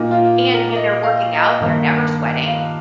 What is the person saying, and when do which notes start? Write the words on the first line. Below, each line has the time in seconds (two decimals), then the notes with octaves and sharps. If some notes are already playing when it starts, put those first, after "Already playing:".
and when they're working out, they're never sweating.
Already playing: A#2 A#3 D#4
0.11 F4
0.54 A#4
0.76 D#5
1.04 F5
1.33 D#5
1.60 G2 D#3 A#3
2.46 F5